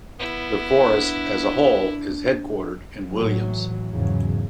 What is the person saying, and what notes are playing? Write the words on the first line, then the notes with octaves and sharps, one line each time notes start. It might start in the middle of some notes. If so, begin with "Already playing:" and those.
The forest as a whole is headquartered in Williams.
B3 E4
D4
A2 E3 F#3
E2 G#2 C#3 F#3